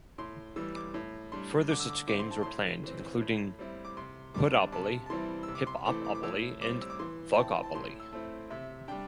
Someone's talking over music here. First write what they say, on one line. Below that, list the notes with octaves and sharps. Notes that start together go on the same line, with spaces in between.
Further such games were planned, including "Hoodopoly", "Hiphopopoly", and "Thugopoly".
A2 C6
E3 G3 E6
D6
A2
G3 D4 C6
D3 D6
E6
D6
C4 E4 D6
C6
A5
A2 C6
E3 C4
A2
G3 C4 E4
D6
C3 C6
G3 D4 D6
C3 A5
A5
E3 G3 C4 E4 C6
E6
C3
D6
C6
E3 A3 C4 E4 D6
D6
D6
A2 E6
G3 C4 D6
E6
D6
E3 C6
G5
C4 E4 A5
A5
A2 C6
E6
A3 C4 E4
C3 E5
G3 D4 G5